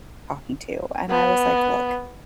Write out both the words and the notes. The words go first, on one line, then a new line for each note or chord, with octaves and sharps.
talking to, and I was like, "Look,
B3